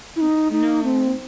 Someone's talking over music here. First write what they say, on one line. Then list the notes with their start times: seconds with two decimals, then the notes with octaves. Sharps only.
Oh, no.
0.16 E4
0.21 D#4
0.52 D#4
0.84 C4